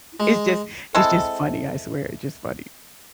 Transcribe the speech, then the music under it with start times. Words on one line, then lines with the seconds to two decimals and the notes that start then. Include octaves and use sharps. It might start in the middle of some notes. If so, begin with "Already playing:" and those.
It's just it's just funny, I swear. It's just funny.
0.20 G#3
0.95 G#3 C4 E4 A4